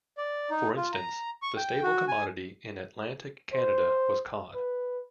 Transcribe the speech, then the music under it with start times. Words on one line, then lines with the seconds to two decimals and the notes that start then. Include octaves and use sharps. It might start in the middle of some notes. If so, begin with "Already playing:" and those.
For instance, the staple commodity in Atlantic Canada was cod.
0.18 D5
0.50 D#4
0.77 F4
0.93 A#5
1.42 C#6
1.57 G5
1.83 F#4
2.08 G#5
3.53 C5
4.55 B4